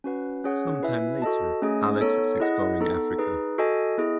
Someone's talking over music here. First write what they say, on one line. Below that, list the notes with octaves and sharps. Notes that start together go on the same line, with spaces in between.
Some time later, Alex is exploring Africa.
C#4 F#4 B4 F#5
C#4 G#4 C#5 F#5
E4 B4 E5 G#5
F#4 A4 D#5 A5
A3 C#4 G#4 D#5 G#5
B3 D#4 A4 C#5
E4 G#4 D#5 F#5
B3 D#4 A4
D#4 G#4 B4
F#4 A4 D#5 G#5
B3 E4 G#4 D#5